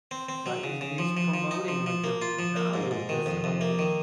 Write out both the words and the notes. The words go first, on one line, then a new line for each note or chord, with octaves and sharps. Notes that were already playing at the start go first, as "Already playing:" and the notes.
right? He's he's promoting like the the value of this." And I'm like
C4
C4
F#3
C#3
C#3
F3
F3
F3
D#4
F3
F3
A#3
F4
F3
A#3
G#2
G#2
D#3
F2
F2
A#3
D#3